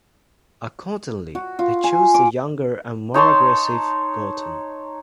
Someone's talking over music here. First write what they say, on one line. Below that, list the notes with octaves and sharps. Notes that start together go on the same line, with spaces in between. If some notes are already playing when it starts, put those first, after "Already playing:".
Accordingly, they chose the younger and more aggressive Gorton.
F#4
F4
G#5
D6
D#4 C#5 A5 C6